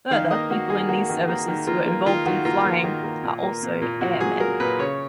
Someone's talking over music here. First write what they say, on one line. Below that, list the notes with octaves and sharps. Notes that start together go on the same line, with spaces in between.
Further, people in these services who are involved in flying are also "airmen".
D#3 F5
A#3 D#5
A#3 F#4
D#3 G#4
A#3 F#4
D#3
A#3
D#3
A#3 F4
A#3
D#3 F4
D#3 F#4
A#3 F4
A#3
D#3
A#3
A#2
A#3
A#2
A#2
A#2 F#4
F#3 G#4
F#3 A#4
A#2 B4
C#3 C#5